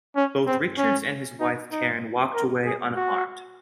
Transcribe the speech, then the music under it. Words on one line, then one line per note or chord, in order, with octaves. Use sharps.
Both Richards and his wife Karen walked away unharmed.
C#4
C4
C#4
D#4
D#4
A#4
G#4
F#4